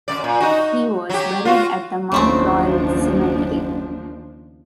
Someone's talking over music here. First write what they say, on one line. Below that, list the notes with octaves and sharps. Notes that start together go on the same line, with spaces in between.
He was buried at the Mount Royal Cemetery.
F#2 G3 D5
A#2
D#4 F#4
F#3 G4
F4 F#4
F#1 D#2 C#3 F3 A3 C4 D4